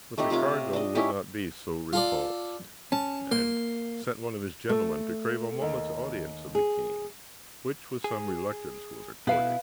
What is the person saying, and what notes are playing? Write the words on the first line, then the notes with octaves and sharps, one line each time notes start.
But the cardinal would not be so repulsed, and sent one of his gentlemen to crave a moment's audience of the king, which with some reluctance was accorded.
A3 C4 D#4 G4
C3 F4 C#5 D6
D4 D#5
C#4 D#4 E4 G4
F4 A4 D5
C#4 A5
A#3 C6
A3
D#2
G#4
G#4
B2 E4 B4 F5